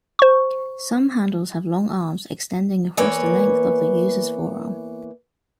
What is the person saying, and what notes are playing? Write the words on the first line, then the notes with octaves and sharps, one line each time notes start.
Some handles have long arms extending across the length of the user's forearm.
C5 C#6
E2 E3 A#3 B4 C#5